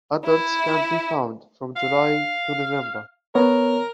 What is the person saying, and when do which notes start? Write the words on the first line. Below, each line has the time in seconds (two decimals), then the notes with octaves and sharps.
Adults can be found from July to November.
0.25 E4
1.76 F5
3.35 B3 A#4 C#5